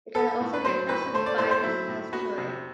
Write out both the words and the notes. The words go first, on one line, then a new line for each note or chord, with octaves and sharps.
It can also be classified as an estuary.
B3 A4
A2
B4
F#3 C5
A2 B4
A3 C5
D5
A2 C5
C5
F#3 E4
A2
B3 F#4
C3